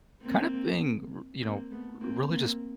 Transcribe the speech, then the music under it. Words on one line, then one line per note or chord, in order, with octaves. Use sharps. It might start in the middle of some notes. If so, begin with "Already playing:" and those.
kinda being r you know, really, just,
A#3 C4
A#3 C4
A3 B3
A#3 C4
A#3 C4